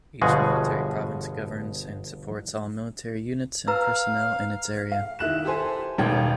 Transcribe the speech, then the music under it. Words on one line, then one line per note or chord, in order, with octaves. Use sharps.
Each military province governs and supports all military units and personnel in its area.
G1 B2 F3 G#3 F#4 G#4
B4 F5 A#5 E6
F5
D#3 E4 F#6 E7
G4 A4 C5 G#5
E1 A1 D#3 G5 G#6